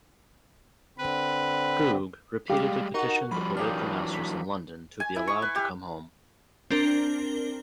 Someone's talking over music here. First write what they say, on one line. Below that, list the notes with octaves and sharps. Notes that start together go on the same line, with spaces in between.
Googe repeatedly petitioned the political masters in London to be allowed to come home.
D3 C4 B4
G3 G#3 G4 F5
D#4 F#4 A#4 F#5 C#6
F2 F3 G3 B5
E3 F#3 G3 A#3 D4 D#4 F6
B6
G#5
E4
C#6
B4
G4
C4 D4 A#4 G7